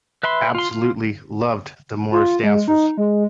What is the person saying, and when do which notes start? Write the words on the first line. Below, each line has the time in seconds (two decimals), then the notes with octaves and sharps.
Absolutely loved the Morris dancers!
0.23 B4 E5 B5 C6
0.55 F4 C6
0.71 F4
2.12 F4
2.44 G#3
2.68 D#4
2.98 G#3